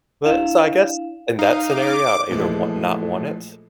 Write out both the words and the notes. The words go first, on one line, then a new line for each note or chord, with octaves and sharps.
But, so, I guess, in that scenario, I'd either wa not want it.
D4 E4 F5 E7 F7
D#4 F5
D6
A#2 E3 F3 G#3 A3